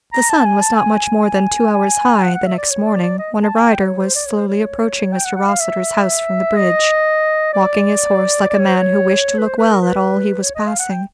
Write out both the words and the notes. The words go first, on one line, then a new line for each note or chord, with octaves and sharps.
The sun was not much more than two hours high the next morning when a rider was slowly approaching Mr. Rossitur's house from the bridge, walking his horse like a man who wished to look well at all he was passing.
A#5
A5
G#5
A5
G#5
F#5
F#5
E5
D5
C#5
D5
D5
D#5
A5
G#5
G5
C#5
C5
D5
C#5
C5
C#5
G5
F#5
F#5
F5
E5
D#5
D5
D5
C#5
C5
C#5
B4
C5
B4
A#4
B4
C#5
D#5
F5
F#5
G5